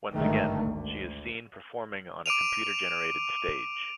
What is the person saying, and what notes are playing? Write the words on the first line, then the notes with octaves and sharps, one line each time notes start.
Once again, she is seen performing on a computer-generated stage.
G#1 G2 D3 D#3 A3
D2
D6 D7 D#7 F7